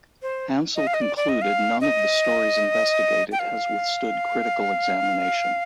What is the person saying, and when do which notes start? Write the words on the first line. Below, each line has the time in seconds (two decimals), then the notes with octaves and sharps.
Hansel concluded none of the stories investigated has withstood critical examination.
0.22 C5
0.76 D#5
0.87 F5
0.94 D#5
1.01 D5
1.17 D5
1.29 D#5
1.42 F5
1.81 D#5
3.32 G5
3.39 F5